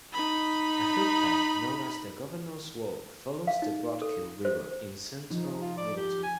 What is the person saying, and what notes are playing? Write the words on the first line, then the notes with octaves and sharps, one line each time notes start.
A footpath known as the Governors Walk follows the Broadkill River in central Milton.
D#4 B5
F5
D#4
A4
C5
F3 D#4
F4
D5
G4
G#5